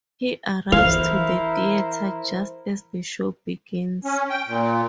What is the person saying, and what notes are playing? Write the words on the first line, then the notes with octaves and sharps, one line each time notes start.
He arrives to the theater just as the show begins.
E3 E4 A#4 C5 F5
C#4
G5
A#2